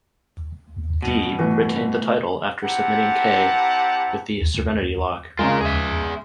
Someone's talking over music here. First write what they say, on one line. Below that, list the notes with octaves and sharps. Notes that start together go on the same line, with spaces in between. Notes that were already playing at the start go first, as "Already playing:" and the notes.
Deeb retained the title after submitting Kay with the "Serenity Lock".
G2 B2
A2 E3
C4 E4 G4 F#5 A5 A#5
C#3 G#3 F4 A#4
G#4 E5